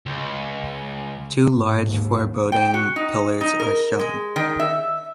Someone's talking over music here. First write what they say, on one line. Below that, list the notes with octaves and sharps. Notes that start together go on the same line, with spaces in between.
Two large, foreboding pillars are shown.
C#2
G#2
D#2 G#2 B2
G5
F#4
D#4
D#4
A#4
G#3
D#3
E5